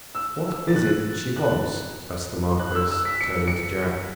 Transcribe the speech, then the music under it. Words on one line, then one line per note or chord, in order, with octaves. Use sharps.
"What is it she wants?" asked the Marquis, turning to Jack.
E6
A6
F#6
F#6
F#6
E6
E6
B6
C#7
C#7